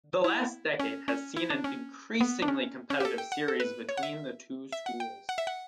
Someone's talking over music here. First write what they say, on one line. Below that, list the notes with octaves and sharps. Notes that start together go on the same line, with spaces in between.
The last decade has seen an increasingly competitive series between the two schools.
E4
C#4
C#4
E4
D4
C#4
B3
D4
C#4
C#4
G4
A4
G5
F#5
A4
B4
C#5
F#5
E5
E5
F#5
G5
F#5
E5
F#5